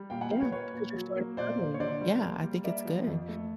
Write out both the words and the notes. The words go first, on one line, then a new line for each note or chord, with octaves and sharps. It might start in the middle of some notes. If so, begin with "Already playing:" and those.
Yeah, because you're starting early. Yeah, I think it's good.
Already playing: G3
A#2 F5 G5
F#5 G#5
A#2 F5 G5
B4 C#5
A#3 B4 C#5
A#2
F#3
A#3
A#2 C5 D5
A#2
C#5
D3 C5 D5
G3
A#3
G3
A#3 D5 E5
F3
F2
A3